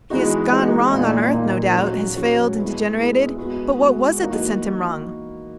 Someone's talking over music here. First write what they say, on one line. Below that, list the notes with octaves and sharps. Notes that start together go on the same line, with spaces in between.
He has gone wrong on earth, no doubt, has failed and degenerated, but what was it sent him wrong?
E3 G#3 B3 D#4 F#4
E3 G#3 B3 D#4 F#4
A#2 A#3 D#4
A#2 A#3 D#4
F#3 C#4 F#4
F#3 C#4 F#4
G#3 B3 E4
G#3 B3 E4
G#3 B3 F#4
G#3 B3 F#4
E3 A#3 D#4 F#4